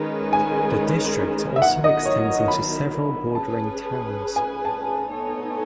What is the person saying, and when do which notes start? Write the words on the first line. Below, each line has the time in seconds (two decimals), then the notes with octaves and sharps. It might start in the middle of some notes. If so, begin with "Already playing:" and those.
The district also extends into several bordering towns.
Already playing: D#3 G#3 C#4 G#4 B4
0.33 G#5
1.56 E5
1.62 D#3 F#3 B3 E4 F#5
1.84 D#5
2.06 C#5
2.48 B5
3.34 C#4 G#4 B4 A5
4.36 G#5
4.65 A5
5.07 B3 D#4 A4 C#5